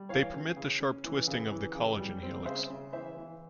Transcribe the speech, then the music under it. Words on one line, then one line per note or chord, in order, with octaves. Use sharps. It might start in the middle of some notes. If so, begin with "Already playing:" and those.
They permit the sharp twisting of the collagen helix.
Already playing: G3
E3 C#5 F5
C#4
C#3
C#4
E3
C#3
E3
C#3
G3
C4
C#3 C5 E5
C#3
E3 C5 E5
E3